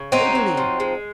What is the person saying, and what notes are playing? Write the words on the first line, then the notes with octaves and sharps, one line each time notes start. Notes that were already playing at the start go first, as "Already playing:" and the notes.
"To Italy."
Already playing: C#3
F#3 C4 D#4
F#3
F3
G#3